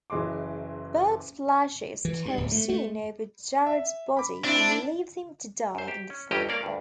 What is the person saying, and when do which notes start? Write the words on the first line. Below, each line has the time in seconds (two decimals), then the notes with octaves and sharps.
Burke splashes kerosene over Jarrod's body and leaves him to die in the fire.
0.10 F#1 E3 G#4 D#5 C6 D6
2.05 E3
2.26 G2
2.37 D1
2.52 A3
2.69 A3
3.67 E5
4.17 B5 D6
4.44 C4 D4 E4
5.75 F#2 C5
5.88 G4
6.10 C#4
6.31 G1 E2 C#4 G4 D#5 A#5
6.49 A#3 C#4 A#4 D5 F5
6.63 D2 G2